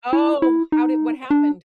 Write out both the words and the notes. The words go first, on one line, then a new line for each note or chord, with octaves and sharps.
Oh, how did what happened?
E4
E4
D#4
D4